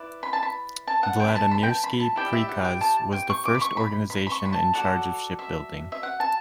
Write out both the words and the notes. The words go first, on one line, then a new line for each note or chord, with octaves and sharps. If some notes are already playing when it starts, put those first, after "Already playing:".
Vladimirsky Prikaz was the first organization in charge of shipbuilding.
Already playing: E4 B4 D5
B5
A5
B5
A5
F#5
G5
B5
A5
B5
G5
A5
B5
A5
E4 G4 D5 G5
E5
F#5
G5
A5
G5
C#6
D6
B5
C#6
B5
B5
B5
C#6
B5
A5
F#4 A4 D5 F#5
E5
E5
F#5
A5